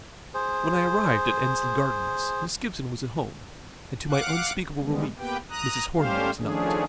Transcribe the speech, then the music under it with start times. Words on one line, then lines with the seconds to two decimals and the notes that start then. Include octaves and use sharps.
When I arrived at Endsley Gardens, Miss Gibson was at home, and to my unspeakable relief, Mrs. Hornby was not.
0.34 G#4 C5
4.10 F5 F#5 D6 F#6
4.80 D#3 G3 G#3 B3
5.18 A#3 B3 G4 B4 G5
5.50 A#5 D#6 F#6
5.96 G3 A3 C#4 G4 C5 F5
6.39 D#3 F3 A3 C#4 D4 G#4